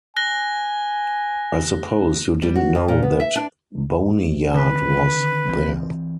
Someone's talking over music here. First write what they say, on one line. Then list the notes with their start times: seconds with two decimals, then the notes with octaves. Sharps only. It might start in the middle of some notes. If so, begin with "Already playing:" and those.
I suppose you didn't know that boneyard was there.
0.16 G#5 F#6 A#6 G7
2.42 G3
2.56 F#4
2.75 F2
2.88 A#2
3.02 B3
3.20 E5
3.36 D4
4.54 D3 D#3 C4 B4
5.49 E3 C4